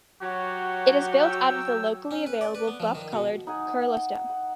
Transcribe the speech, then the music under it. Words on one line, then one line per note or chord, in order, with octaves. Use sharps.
It is built out of the locally available buff coloured Kurla stone.
F#3 F#4 G4 C#5
G5 E6
C#4
B4
D5
B4
B3
F3
D#3
B2
D#4 F#5 G#5
F#5